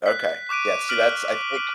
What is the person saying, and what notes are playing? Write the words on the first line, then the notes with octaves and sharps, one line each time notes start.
Okay, yeah, see, that's I think
F#6 B6
C#6 D6 F#6 D7 D#7
F6 B6 D7 F#7